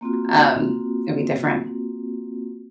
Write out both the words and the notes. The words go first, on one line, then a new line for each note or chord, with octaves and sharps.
Um, it'll be different.
A#3 C4 F4 F#4